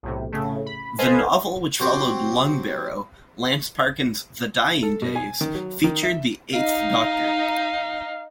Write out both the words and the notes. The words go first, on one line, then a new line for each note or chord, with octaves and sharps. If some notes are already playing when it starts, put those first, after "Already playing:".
The novel which followed "Lungbarrow", Lance Parkin's "The Dying Days", featured the Eighth Doctor.
B1 A2 C3
A2 C#3 A3
B5
A4 B4 C5 D#5 F5 G#5
F#3 C4 G4 C5
A4
B2
G#5
D#3
F#3
D#3
E5
D#4 F5